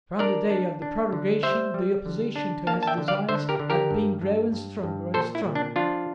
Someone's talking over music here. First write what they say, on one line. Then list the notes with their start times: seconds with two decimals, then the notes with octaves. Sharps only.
From the day of the prorogation the opposition to his designs had been growing stronger and stronger.
0.19 D4 A#4 D5
0.50 D4
0.82 D4
1.13 D3
1.43 G3 C5 E5
1.74 G3
2.06 D3
2.36 D4
2.67 A#3 F5 A5
2.83 A5
2.87 E5 G5
2.98 D3
3.08 D5 F5
3.29 D3 C5 E5
3.49 G4 A#4
3.59 D3
3.70 G4 A#4
3.91 G2
4.22 G2
4.52 G2
4.84 G2
5.14 A#2 A4 C5
5.35 E4
5.45 A#2
5.55 D4
5.76 F3 D4 F4